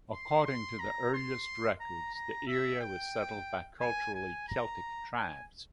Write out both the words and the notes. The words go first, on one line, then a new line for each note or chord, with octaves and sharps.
According to the earliest records, the area was settled by culturally Celtic tribes.
C6
C6
A#5
C6
A#5
A#5
E5
G5
G#5
G#5
A#5
G#5